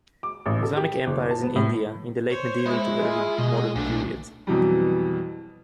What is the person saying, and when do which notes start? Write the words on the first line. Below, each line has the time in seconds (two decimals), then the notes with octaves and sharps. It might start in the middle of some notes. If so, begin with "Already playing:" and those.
Islamic empires in India in the late Medieval to Early Modern period.
0.23 D6
0.46 A1
0.63 A4
0.76 G4
1.07 F#1
1.31 A5
1.43 B3
1.56 A2
2.30 C5 C#5
2.66 G#3 E4
2.97 F4 G#4
3.38 B2 G#3 D#5
3.75 B1 A#2 A3 D4
4.47 F2 B2 E3 F#3 G3